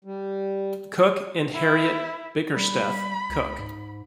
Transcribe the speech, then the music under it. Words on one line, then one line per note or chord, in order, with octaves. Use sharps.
Cook and Harriet Bickersteth Cook.
G3
E4
G3 B5
C#2
G#2